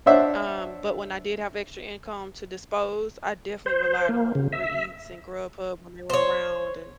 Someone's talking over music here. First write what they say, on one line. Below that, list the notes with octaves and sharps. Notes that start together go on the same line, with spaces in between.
um, but when I did have extra income to dispose, I definitely relied on Uber Eats and Grubhub when they were around and
D4 C5 C#5 E5 F#5
C5
A#3
C#3
E5
C5 C#5